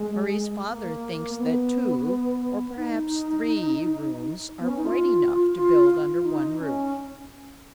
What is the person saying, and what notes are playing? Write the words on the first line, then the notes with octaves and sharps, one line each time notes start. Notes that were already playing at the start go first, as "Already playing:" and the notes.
Mari's father thinks that two, or perhaps three, rooms are quite enough to build under one roof.
Already playing: G#3
A#3
B3
D#4
B3
C#4
D#4
F4
F4
F4
D#4
C#4